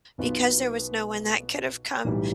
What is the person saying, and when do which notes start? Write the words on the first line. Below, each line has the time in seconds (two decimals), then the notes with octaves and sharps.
because there was no one that could have come
0.18 B1 B2 B3 F4
2.04 B1 A2 E3 G3